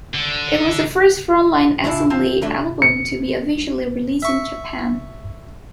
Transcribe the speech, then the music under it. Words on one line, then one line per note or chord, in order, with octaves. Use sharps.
It was the first Front Line Assembly album to be officially released in Japan.
D3
E3 D4 E4 F4
C4 F4 F5 A5
G2 F#3 A3 D4 E5
C#7
E5 C#6